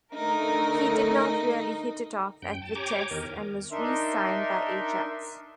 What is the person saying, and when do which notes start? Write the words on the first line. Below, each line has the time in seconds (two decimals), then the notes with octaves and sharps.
He did not really hit it off at Vitesse and was re-signed by Ajax.
0.14 D3 A3 D#4 A#4
2.42 F#2 G5
2.62 A5
2.75 G4 C#5 G5 G#5 A#5 D6
3.11 E2 D#3 A#4
3.71 D4 D#4 A#4 E5 C6